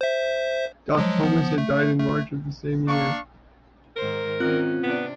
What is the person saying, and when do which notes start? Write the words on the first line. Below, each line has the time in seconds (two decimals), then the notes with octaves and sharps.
Doc Pomus had died in March of the same year.
0.01 C5 E5
0.97 F3 F#3 G#3
1.23 F3 B3
1.58 A3
1.99 A3
2.87 A#3 D4 F5 C#6
3.96 G#2 D#3 A#4 C5
4.40 D#3 C4 C#4 F4 F#6
4.83 C3 B3 D4